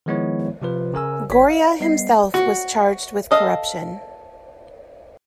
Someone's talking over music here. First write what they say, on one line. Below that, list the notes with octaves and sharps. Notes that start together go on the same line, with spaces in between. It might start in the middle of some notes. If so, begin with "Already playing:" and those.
Goria himself was charged with corruption.
D#3 F3 G#3 B3 E4 C#5
C3 F3 F4 B4
C#3 A#4 G#5 E6
G#1 C#5 B6
D#5 F5
G3 B3 D#5 C7
F#4
A4 D#5 F5